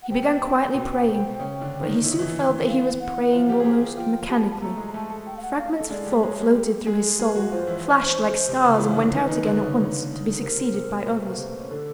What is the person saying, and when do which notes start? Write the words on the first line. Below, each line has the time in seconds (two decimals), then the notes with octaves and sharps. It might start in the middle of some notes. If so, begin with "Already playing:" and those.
He began quietly praying, but he soon felt that he was praying almost mechanically. Fragments of thought floated through his soul, flashed like stars and went out again at once, to be succeeded by others.
0.03 F#5
0.10 C3 C4 G5
0.75 B2 B3
1.07 C3 C4
1.39 C#3 C#4
1.61 D3 D4
1.83 D#3 D#4
2.04 E4
2.12 D#4
2.19 E3 E4
2.68 F5
3.00 F#5
3.32 F3 F4
3.49 G3 G4
3.60 G#4
3.64 G3 G4
3.81 G3 G4
3.97 F3 F4 G5
4.29 G3 G4 A5
4.51 A5
4.62 A3 A4 A#5
4.77 G#3 G#4
4.87 A#5
4.94 A3 A4 A5
5.10 A3 A4
5.26 G5
5.37 F5
5.42 F#5
5.58 F5
5.75 A4 D#5
5.90 G#3 G#4 D5
6.06 G3 G4
6.23 G#3 G#4 C#5
6.39 G3 G4
6.55 G3 G4 A4
6.87 G#3 G#4 A4
7.19 G#3 G#4 B4
7.36 F#3 F#4
7.51 F3 F4 C5
7.67 E3 E4
7.84 C5
7.93 C#5
8.03 C5
8.48 C3 C4
8.64 C#3 C#4
8.74 F4
8.80 E3 E4
8.96 D3 D4
9.12 D#3 D#4 B4
9.29 D#3 D#4
9.44 D3 D4
9.61 C#3 C#4
10.41 C3 C4 A#4
10.57 C3 C4
10.73 C3 C4
10.89 C3 C4
11.05 B2 B3
11.15 A3
11.22 A#3
11.30 B3
11.37 C3 C4
11.60 C#4
11.70 D3 D4 A4